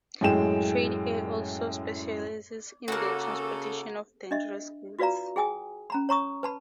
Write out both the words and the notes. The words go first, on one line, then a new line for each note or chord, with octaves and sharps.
Trade Air also specialises in the transportation of dangerous goods.
F#2 A2 G#3 G5 E7
C#3 A#3 F#4 A4
D4 D#5 E5
F4 F#4 B4 D5 F5 A#5
G#4 G5 G#5 D#6
C#4 A#5 B5
C#5 A#5 C#6 D#6
B4 A5 B5